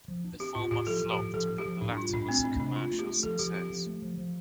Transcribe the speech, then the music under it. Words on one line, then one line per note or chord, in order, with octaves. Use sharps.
The former flopped, but the latter was a commercial success.
F3
D4
C4 G4
A2 F4
A2 G4
F3 A4
F3
G4
A2
F3 A4
D4
G4
F3
A2 D4
G3 F4
A2 D4
A3 C4
A3 D4
C3 D4
A3 F4
A3
G4
A3
F3 A4
F3 G4
C4 G4
F3
A3
F3
F3